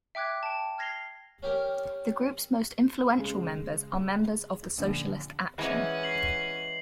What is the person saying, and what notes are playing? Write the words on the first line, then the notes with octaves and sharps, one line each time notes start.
The group's most influential members are members of Socialist Action.
E5 G5 D6 F#6 G#6
G5 A5
F6 G#6 A#6 C7 F7 G7
C#4 G4 A#4
C#3 G#3
A#1 D3
E3 G#3 C#4 F#5
C7 F#7